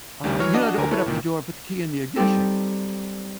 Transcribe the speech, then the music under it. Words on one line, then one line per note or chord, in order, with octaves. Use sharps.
uh, you know how to open up the door and put the key in the ignition,
D2 D#3 G3
E3 F#3 C#5 F6
D4 F#4 D#5 A5 D6
D2 D3 A#4 G#5
E4 A4 B4 C#5
C#2 A#2 D#3
G3 C4 D#4 G4 A4